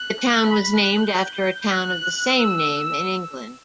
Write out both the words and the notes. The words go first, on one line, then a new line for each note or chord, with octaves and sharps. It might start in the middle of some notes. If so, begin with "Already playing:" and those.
The town was named after a town of the same name in England.
Already playing: F#6
B5
F#6
G6
F#6
E6